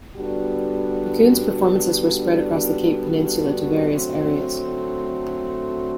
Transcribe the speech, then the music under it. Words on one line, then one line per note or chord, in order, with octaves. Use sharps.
The Coons performances were spread across the Cape Peninsula to various areas.
D3 G3 B3 D4 F#4
D3 F#3 A3 C4 F#4